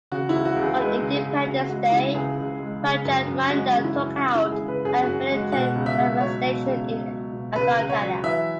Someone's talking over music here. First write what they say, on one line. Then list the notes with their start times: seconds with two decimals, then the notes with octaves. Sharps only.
On Independence Day Prajamandal took out a militant manifestation in Agartala.
0.11 C#3 F#4
0.29 E4
0.35 C#2
0.45 F#4
0.56 C#2
0.63 G#4
0.79 G#3 B4
1.02 C#3
1.13 G#4
1.25 C#2
1.47 C#2 F#4
1.69 G#3 F#4
1.92 C#3 E4
2.14 C#2 G#4
2.37 C#2
2.60 G#3
2.83 C#3
3.05 F#2
3.27 F#2
3.50 G#3 F#4
3.73 C#3
3.84 E4
3.95 F#2
4.17 F#2 F#4
4.35 E4
4.40 G#3
4.52 G#4
4.63 C#3
4.68 B4
4.85 F#2 G#4
5.02 F#2 F#4
5.30 G#3
5.36 F#4
5.52 B2 F#5
5.75 C#2
5.86 E5
5.98 C#2
6.20 F#3 C#5
6.44 B2
6.65 C#2
6.89 C#2
7.11 F#3
7.33 B2
7.56 C#2 B4
7.78 C#2
7.90 C#5
8.01 F#3
8.23 E3 E5